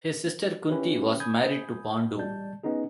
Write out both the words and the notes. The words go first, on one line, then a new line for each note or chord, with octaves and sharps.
His sister Kunti was married to Pandu.
C#4 E4 G4 B4 C#5
G#5 B5 D#6 G6 G#6
A1 G3 G#3 D5 A5 G6
B3 C#4 D#4 G#4